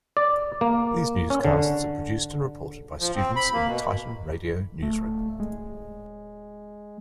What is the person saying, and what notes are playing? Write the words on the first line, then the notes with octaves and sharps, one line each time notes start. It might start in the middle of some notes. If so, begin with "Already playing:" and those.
These newscasts are produced and reported by students in the Titan Radio newsroom.
D5
A#3
C#4
D3
F3
C4
B5
A#3
B2
D1 A3
G#3